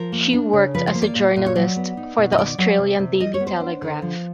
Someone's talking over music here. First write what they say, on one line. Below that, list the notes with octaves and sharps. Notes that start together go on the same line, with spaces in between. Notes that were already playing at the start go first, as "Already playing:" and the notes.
She worked as a journalist for the Australian "Daily Telegraph".
Already playing: F3 A#4
A#3
D4
C#3
F3 B4
C5
A#3
D5
A#2
A#2
C#5
F#3 D5
B3
D#4
B2
D#5
D#3 D5
F#3
C3
C3
G3 D#5
C#5
B3
C5
D4
D3
F3